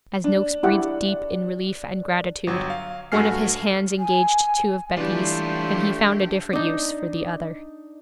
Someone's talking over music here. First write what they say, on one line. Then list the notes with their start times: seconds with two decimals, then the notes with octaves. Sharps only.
As Noakes breathed deep in relief and gratitude, one of his hands engaged two of Becky's, and he found a different use for the other.
0.24 D4
0.63 E4 G4 F#5
2.47 G1 F#3
2.70 F5
3.12 G2 A3 F#4 G#5 F6 C7
3.99 G#5
4.97 E3 G3 A3 D4 F4 G4 B4 D5
6.53 D4 D#4